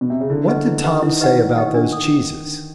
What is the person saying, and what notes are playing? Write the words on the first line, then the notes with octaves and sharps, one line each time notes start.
"What did Tom say about those cheeses?"
B2
C3
C#3
D3 E4
G4 B4 D#5 F#5
E4
G4 B4 D#5 F#5
D#3 E4
G4 B4 D#5 F#5
E4
G4 B4 D#5 F#5
D4
A4